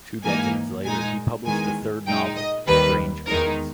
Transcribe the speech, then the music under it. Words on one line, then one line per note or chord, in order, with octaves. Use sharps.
Two decades later he published a third novel, "Strange Gods".
G#2 E3 A#3 D#4 G#5
A#2 G#3 D#4 G#5
E2 D#3 G#3 G#5
A#2 G#3 D#4 G5
D#5
D#2 D#3 G3 B4
E2 D#3 G#3 D#4 A#4